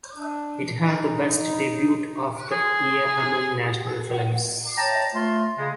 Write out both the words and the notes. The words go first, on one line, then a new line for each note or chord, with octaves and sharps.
It had the best debut of the year among national films.
D4
D#4
G#4
C#5 G5 A5 A#5
A3 F4 C6
C#3 G#3